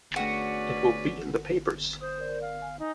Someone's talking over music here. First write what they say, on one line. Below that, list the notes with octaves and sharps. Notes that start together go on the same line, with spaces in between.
It will be in the papers!
A3 C#4 D4 F#4 G#4 B4 D5
C5 D#6
A#4 D5
F5
G#5
D#4